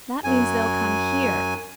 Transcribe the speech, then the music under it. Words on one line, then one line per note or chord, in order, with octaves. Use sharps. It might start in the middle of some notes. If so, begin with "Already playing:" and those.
That means they'll come HERE.
F#2 G#5